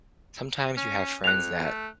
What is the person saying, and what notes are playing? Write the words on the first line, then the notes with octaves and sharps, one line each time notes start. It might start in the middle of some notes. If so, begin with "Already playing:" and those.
sometimes you have friends that
C#4
F2 F#6 F7
A3